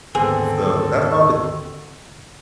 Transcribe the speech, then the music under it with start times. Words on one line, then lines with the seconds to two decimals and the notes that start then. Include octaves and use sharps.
so that's all the
0.15 D#2 G#2 D3 B3 C4 G#4 A4